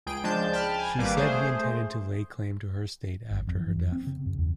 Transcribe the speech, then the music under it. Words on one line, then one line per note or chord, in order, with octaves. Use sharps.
She said he intended to lay claim to her estate after her death.
C#2 G#4 G5 D7
C#2 F3 G#3 D4 A5 G6
G5 A5 B5 F6
G#5
G#1 G3 A#3 B4 D6
A3 G#4 C5
G1
F2
E3
F2
C4
C#3
F#2
E2